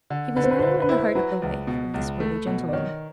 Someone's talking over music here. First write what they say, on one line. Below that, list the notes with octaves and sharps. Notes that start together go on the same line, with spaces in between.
He was now in the heart of the wife of this worthy gentleman.
D3
D3 B4
C5
B4
C5
D3 B4
C5
B4
E4 C5
B4
F#3 B4
C#2
B2
C#2
A3
B2
D5
D#3 C#5